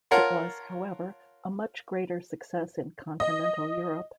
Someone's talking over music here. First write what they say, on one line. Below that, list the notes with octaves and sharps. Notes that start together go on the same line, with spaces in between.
It was, however, a much greater success in Continental Europe.
F4 A#4 C#5 F#5 A5
D#5